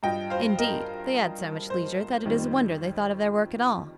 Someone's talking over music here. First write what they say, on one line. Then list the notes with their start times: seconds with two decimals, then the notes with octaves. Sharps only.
Indeed, they had so much leisure that it is a wonder they thought of their work at all.
0.03 G2 F3 D#5 G5
0.30 C5 F5
0.59 A#4 D#5
1.70 C5
2.25 F2 D#3 G3